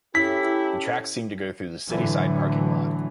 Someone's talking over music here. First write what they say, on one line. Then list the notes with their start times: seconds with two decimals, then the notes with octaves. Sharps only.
The tracks seem to go through the City Side parking lot.
0.15 C#4 E4 G4 A4 B6
1.89 A2 D3 E3 F#3